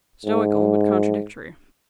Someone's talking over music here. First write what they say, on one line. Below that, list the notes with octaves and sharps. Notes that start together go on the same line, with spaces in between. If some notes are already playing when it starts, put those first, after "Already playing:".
Stoical, but contradictory.
G#2